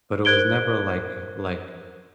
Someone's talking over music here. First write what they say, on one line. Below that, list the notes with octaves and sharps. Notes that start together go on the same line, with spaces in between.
but it was never, like uh, like,
A#4 C5 F#6 G#6 D7 G7